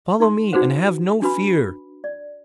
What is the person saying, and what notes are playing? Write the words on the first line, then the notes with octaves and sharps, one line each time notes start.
"Follow me and have no fear."
D#4 C6
D#4 F#4 G#4 B4 C5 F#5
D4 F#4 B4 B5
D5